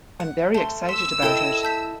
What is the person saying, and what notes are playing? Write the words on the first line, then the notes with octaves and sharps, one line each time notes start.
I’m very excited about it.
F#5
A3 A5 C6
C6 E6 B6
E4 A4 A#4 D#5 G5 G6
A5 G6 B6